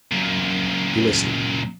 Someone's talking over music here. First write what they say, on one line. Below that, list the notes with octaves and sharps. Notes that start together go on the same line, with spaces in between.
He listened.
F#2 A#2